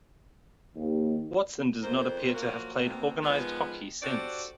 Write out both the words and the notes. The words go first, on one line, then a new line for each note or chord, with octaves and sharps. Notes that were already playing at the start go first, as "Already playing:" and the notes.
Watson does not appear to have played organized hockey since.
D#2
F2 A#4 C5
F3 F#3 A#3 F#4 A#4
B2 A#3 C4
D#3 F3 G#3 B3
D4 F#4 G4 A4 C5 D5